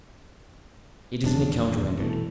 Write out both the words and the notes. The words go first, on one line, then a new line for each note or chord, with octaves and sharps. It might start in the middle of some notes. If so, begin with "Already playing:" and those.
It is an account rendered.
D#1 E2 F#3 D4
B2 E3 A3